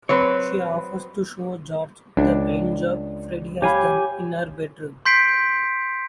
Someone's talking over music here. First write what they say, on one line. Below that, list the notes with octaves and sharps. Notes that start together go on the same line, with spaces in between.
She offers to show George the paint job Freddie has done in her bedroom.
F#3 C4 B4 C#5
C#2 D4
G4 C#5 F5 G#5 B5
C6 G6 B6 C7 D7